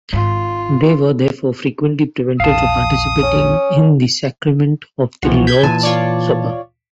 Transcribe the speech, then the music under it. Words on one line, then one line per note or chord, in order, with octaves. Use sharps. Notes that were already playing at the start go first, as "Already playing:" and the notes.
They were therefore frequently prevented from participating in the sacrament of the Lord's Supper.
G#1 G#2 F4
A#1 E2 F5 A5 D#6
C#4
C2 E3 F3 F#4
G6 G#6 B6
A#2 E3 G#5 A5
F4 C#5 D5